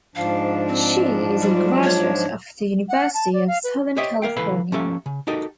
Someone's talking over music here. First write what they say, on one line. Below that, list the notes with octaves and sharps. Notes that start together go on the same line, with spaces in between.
She is a graduate of the University of Southern California.
G#2 F3 D4 F5
C4
F#3 G3 F4
C#5
F#5
A5
D5
F5
B4
G4 C5 C#5 D#5 E5 G5
A#3 A#4 F5 G5
C#2 E3 A4 B4 F5 B5
F3 A#3 C#4 G4 A4 E5
C#3
D#4 F#4 G4 A4 A#4 D#5